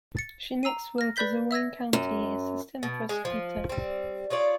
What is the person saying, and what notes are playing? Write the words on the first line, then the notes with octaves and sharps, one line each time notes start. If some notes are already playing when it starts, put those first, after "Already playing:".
She next worked as a Wayne County Assistant Prosecutor.
A6 C#7
A#5 E6 C7 D#7
F6 A#6
B4 D5 B5 G6 B6 G7
E5 E6 G#6 A#6
F#2
B2
G#3
F3
G3 C4
D#4 F4 C#5 D5